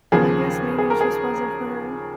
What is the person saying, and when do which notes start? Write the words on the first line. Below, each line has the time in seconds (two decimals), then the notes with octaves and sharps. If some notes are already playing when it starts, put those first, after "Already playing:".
and I guess maybe it just wasn't for her.
0.12 D#2 C#3 F3 G#4
0.78 G#4
0.90 A#4
1.01 G#4